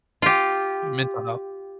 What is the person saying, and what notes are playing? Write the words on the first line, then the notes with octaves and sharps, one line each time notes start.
your mental health.
F4 G4